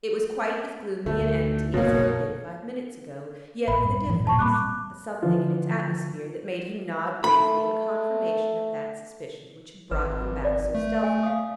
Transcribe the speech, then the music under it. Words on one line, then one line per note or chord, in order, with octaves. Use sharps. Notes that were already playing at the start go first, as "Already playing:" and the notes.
It was quite as gloomy and empty as it had been five minutes ago, yet with a difference, a something in its atmosphere that made him nod briefly in confirmation of that suspicion which had brought him back so stealthily.
D2 D3 A3
F#1 B1 G#2 B2 A#3 C#5
A1 B5
G2
A2 E3 F3
E1 A#2 E3 A5 C#6
G3 A#3 C4 B5 D6 F#6
D3 E3 F3 F4
A3 B5
G#1 B4
D5
A3
G#5
F5 D#6